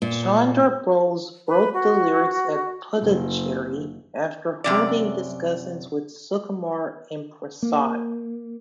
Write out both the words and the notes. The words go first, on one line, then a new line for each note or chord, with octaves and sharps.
Chandrabose wrote the lyrics at Puducherry after holding discussions with Sukumar and Prasad.
A#2
B4
F#4
F#1
F#2 C3 D5
A#3